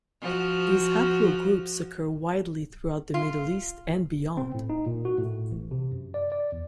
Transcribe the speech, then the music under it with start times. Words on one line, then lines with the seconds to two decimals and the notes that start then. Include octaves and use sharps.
These haplogroups occur widely throughout the Middle East and beyond.
0.21 F3 F#4
3.14 F4
4.37 C4
4.54 A2
4.70 D#4
4.86 A#2
5.05 F#4
5.18 A2
5.51 A1
5.71 C3
5.92 F#2
6.14 D5
6.32 D5
6.52 E2